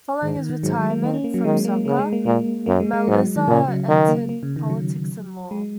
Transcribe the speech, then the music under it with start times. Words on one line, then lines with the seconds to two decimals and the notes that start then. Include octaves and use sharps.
Following his retirement from soccer, Maliza entered politics and law.
0.22 G#2 D#3
0.36 D#3
0.50 D#3
0.63 G#2 F#3
0.77 G#3
0.90 A#3
1.04 D#3 A#3
1.14 C#4
1.24 A#3
1.34 F#3
1.44 D#3 G#3
1.65 A#3
1.85 C#3 A#3
1.99 G#3
2.13 A#3
2.25 A#2 A#3
2.66 F#2 A#3
2.80 G#3
2.93 G#3
3.07 G#2 F#3
3.36 D#3
3.47 A#2 C#3
3.68 F#3
3.88 D#3
4.08 A#3
4.29 A#3
4.43 C#3
4.56 D#3
4.70 F#3
5.51 G#3